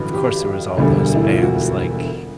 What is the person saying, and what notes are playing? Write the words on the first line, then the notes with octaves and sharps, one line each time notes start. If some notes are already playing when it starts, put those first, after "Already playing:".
of course, there was all those bands like
Already playing: A1 G2 D3 F#3
G4
E1 D2 D3 G3
E4
F4
F#4